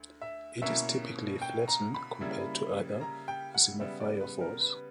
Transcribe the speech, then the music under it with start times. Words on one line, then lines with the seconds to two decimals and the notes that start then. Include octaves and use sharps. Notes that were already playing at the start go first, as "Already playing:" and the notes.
It is typically flattened compared to other xenophyophores.
Already playing: D2
0.22 E5
0.62 B2 A#3 C#4 E4 E5
1.42 G5
1.68 A#5
1.94 B5
2.21 C#3 G3 A#3 E4
3.01 A#5
3.28 G5
3.54 F#5
3.80 C#3 G3 B3 E5
4.00 D5
4.21 B4
4.41 A#4
4.60 B4